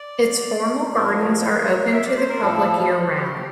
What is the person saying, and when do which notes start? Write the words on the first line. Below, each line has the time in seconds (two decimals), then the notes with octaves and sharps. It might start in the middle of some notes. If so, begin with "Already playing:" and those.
Its formal gardens are open to the public year round.
Already playing: D5
0.95 A2 F3 A#4
1.93 E5
2.05 D5
2.17 C5
2.29 A#4
2.41 A2 F3 A4
3.14 G4